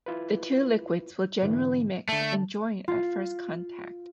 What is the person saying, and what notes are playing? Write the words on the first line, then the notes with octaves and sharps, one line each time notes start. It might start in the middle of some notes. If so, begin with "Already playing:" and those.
The two liquids will generally mix and join at first contact.
E4 F4 B4
G#2 D3 E3
D3 A3 A5
F4